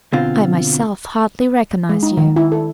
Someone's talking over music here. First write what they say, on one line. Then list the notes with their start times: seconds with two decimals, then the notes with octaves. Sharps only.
I myself hardly recognised you.
0.13 B2 D3 C4 F4
1.89 G#3
2.03 D#4
2.17 D#3
2.36 E4
2.52 A4